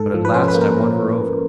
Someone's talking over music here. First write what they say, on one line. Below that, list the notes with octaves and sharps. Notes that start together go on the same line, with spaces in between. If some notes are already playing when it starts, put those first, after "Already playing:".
But at last I won her over.
Already playing: G#2 A4
F3
B4
C#4 C5
B4
A#3
A#4